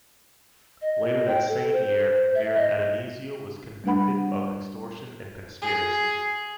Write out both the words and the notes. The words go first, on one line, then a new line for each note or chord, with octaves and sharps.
Later that same year, Mayor Addonizio was convicted of extortion and conspiracy.
D#5
G5
A4
C5
E5
D#5
G3 A3 D4 B4 F#5 B5
G#4